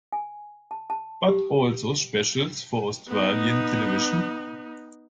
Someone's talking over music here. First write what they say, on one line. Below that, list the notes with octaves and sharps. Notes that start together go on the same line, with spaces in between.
But Also specials for Australian television.
G#5
A5
A5
G4
B3 D#4